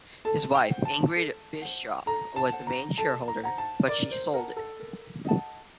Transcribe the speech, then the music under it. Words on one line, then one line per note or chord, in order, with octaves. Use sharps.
His wife Ingrid Bischoff was the main shareholder, but she sold it.
A4 A5
G5
C5 F#5
A5
A4
C5 F#5
A4 A#5
A5
C5 F#5
A#5
A4 A5
A#5
C5 F#5 A#5
A5
A#4 D5
C5
A#4 D#5 F#5 A5
A4
A#4
D#5 F#5 A5